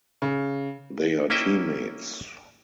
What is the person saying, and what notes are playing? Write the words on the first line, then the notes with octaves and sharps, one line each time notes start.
They are teammates.
C#3
A#3 C#4 E4 D#5 E5 G5